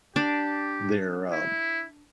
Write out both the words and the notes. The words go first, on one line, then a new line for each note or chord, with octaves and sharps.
they're um
D4 G4
E4